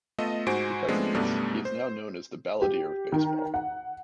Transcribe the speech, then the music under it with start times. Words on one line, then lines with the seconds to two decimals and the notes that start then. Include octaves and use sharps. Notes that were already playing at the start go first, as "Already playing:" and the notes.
Because of this, he is now known as "The Balladeer of Baseball".
0.18 A3 B3 F4 A4 D#5
0.47 G#2 F#4 C5 G#5 D7
0.88 F3 G#3 A3 B3 C4 D4
1.14 F#2 B2 G3 A3 B3 D4
1.65 C5
2.62 G4
3.12 D#3
3.54 F#5